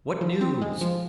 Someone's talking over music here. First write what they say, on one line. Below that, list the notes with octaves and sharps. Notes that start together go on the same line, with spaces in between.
"What news?"
F3
C4
G#3
F3